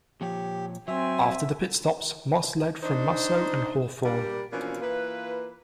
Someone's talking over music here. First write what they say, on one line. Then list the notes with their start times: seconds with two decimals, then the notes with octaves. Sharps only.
After the pitstops Moss led from Musso and Hawthorn.
0.21 A#2 F3 G4 C#5
0.88 F#3 C4 E5 G#5
2.83 D4 D#4 C5
4.04 G3 A#3 D4
4.52 B2 E3 F3 A#3 C#4 D4
4.82 E3 A#3 F4 B4